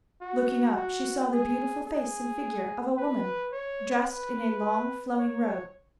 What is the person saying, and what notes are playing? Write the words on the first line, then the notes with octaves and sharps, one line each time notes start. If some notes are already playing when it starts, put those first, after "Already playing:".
Looking up she saw the beautiful face and figure of a woman, dressed in a long flowing robe.
F#4
F#4
G#4
G#4
B4
C#5
B4
C#5